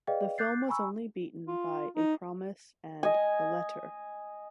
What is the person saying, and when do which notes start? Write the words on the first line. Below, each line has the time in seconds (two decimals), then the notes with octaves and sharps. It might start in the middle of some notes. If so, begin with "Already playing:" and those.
The film was only beaten by "A Promise" and "The Letter".
0.07 G#4 B4 D5 D#5 F5 G5
0.38 D6 F#6 G6 A6 C7
0.68 G#5 A#5 B5 C#6 E6
1.48 F4
1.96 D#4
3.03 D#5 G#5